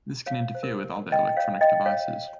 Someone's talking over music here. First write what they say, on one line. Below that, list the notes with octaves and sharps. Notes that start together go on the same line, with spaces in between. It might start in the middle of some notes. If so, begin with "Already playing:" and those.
This can interfere with other electronic devices.
C#5 F5
C5
A#4 C#5
D#5 G5
C#5 F5
D#5 G5
C#5 F5